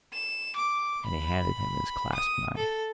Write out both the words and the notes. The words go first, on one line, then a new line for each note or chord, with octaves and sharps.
And he handed him his clasp knife.
E7
D6
B5
D#6
A4